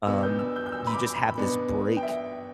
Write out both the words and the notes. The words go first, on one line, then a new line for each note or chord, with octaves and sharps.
um, you just have this break
B2 B3 D4 E6
G6
E6
G6
G6
E6
B5
D6
B5
B2 B3 D4
G5
E5